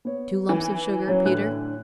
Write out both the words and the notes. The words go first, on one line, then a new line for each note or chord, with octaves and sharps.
"Two lumps of sugar, Peter?"
B3 C#5
E3
F#3 C#4
A2 D3 F#6